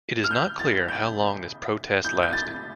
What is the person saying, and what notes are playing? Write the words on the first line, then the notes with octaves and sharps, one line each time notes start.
It is not clear how long this protest lasted.
F6
G6
A6
G6
G6
G6
A6